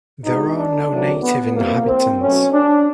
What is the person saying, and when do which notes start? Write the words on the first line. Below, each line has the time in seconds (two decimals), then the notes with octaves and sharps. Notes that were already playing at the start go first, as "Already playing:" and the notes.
There are no native inhabitants.
0.23 E2 B2 G#3 D#4
0.56 D4
0.89 E2 C3 D#3 F#3 A3
1.21 B3
1.54 F2 C3 E3 G3 A#3
1.86 C4
2.20 B2 F#3 A3 C#4
2.52 D4